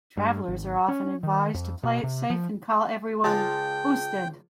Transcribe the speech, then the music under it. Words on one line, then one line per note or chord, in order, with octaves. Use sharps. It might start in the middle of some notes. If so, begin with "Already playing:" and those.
Travellers are often advised to play it safe and call everyone "usted".
G2
G#1
C#4
D#3
F2
B2
C3
F3
C#2 F4 G#4 G5 A5